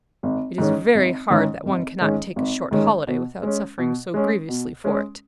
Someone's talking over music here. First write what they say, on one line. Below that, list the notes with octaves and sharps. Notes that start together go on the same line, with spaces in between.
It is very hard that one cannot take a short holiday without suffering so grievously for it.
G#1
G#2 D#3 G#3 C#4
G#1
G#2 D#3 G#3 C#4
G#1
G#2 D#3 G#3 C#4
G#1
G#2 D#3 G#3 C#4
B2
G#3 C#4
B2
G#3 C#4
B2
G#3 C#4